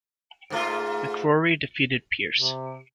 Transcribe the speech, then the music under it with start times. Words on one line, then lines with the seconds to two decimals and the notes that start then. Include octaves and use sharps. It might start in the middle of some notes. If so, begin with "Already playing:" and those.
McCrory defeated Pearce.
0.50 G#2 A3 F4
2.37 C3